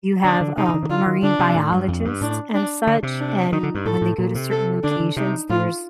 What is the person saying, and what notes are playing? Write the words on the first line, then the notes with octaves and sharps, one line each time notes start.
you have a marine biologists and such, and when they go to certain locations, there's
D3 D4
D3
C3 D#4
C3
D3
C3
D3 F4
D#3
D3 D4
C3
A2
G2
F2
G2
A2 D4
D4
D3
C3
D4
D#3 D#4
D3
G2
A2 A4
A2
A#2
C3
A4
D3 D4
D3
C3 D#4
A2 F4